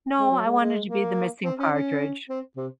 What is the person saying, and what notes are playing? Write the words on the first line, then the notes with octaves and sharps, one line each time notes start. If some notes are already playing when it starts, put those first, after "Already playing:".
No, I wanted to be the missing Partridge.
G#3
F#3
G#3
G#3
A#3
C4
C#4
C#4
C4
C3